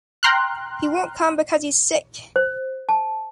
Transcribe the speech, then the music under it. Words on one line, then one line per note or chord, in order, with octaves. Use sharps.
He won’t come because he’s sick.
G5 A#5 C6 F6 F#6
C5
A5